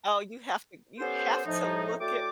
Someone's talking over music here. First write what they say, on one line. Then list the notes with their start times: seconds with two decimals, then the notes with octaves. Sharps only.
Oh, you have to you have to look it
0.99 B3 C#4 G4 A4 C5
1.45 A2 F3 D#4
2.00 A2 A3 F#4 D5 G5 D6